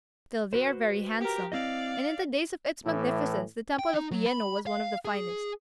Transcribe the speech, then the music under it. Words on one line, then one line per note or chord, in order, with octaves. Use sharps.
Still they are very handsome, and in the days of its magnificence the Temple of Uyeno was one of the finest.
F#4 B4 C5
G4 A#4
C4 E4 D5 D#5 F5
A2 E3
G5
D#4
F#3
B5
F5
G#4